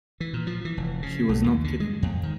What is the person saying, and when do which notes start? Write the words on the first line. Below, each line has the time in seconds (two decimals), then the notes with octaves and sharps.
She was not kidding me.
0.20 E3
0.33 A#2
0.47 F3
0.65 E3
0.77 F1
1.02 C#3
1.29 B1
1.44 D#2
1.64 D3
1.80 G#3
2.03 F2
2.23 D#3